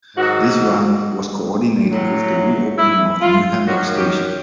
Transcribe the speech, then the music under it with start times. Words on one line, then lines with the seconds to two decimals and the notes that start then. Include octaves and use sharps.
This run was coordinated with the re-opening of the New Hamburg station.
0.17 G#2 D#3 F#3 F#4
1.91 A2 F#3
2.78 E4
3.22 F4
3.65 F#2 D#3 F#3 F#4
3.95 G4